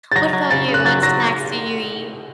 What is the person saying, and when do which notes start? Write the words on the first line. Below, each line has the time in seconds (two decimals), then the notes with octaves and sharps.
what about you, what snacks do you eat?
0.12 A6
0.16 F#3 A#6
0.33 F#3
0.51 C#3 A6
0.68 C#3
0.74 F#6
0.85 F#3 A6
1.02 F#3 A#6